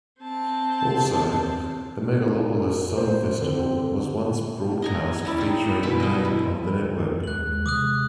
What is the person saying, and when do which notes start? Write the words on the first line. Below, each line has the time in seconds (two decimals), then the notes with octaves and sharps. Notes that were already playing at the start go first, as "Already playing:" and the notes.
Also, the "Megalopolis Song Festival" was once broadcast featuring the name of the network.
0.21 C4 A5
2.97 C5
3.41 D3 C4
4.82 D#5 G#5 A#5
5.25 C#4 E4 D5
5.38 C4 D#4
5.83 B2 E3 B5
6.00 E4 D#5
6.25 E4
7.24 D#2 G#3 F#6 F#7
7.66 C3 D6 D#6 F#6